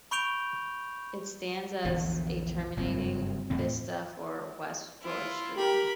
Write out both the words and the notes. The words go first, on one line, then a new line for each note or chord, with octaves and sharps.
It stands as a terminating vista for West George Street.
B5 C#6 G6 D7 F7 G7
A#1 E2 D3 E3
F#1 G2 F#3 C4
E2 A2 C4
E4 F4
G4 A#4 B5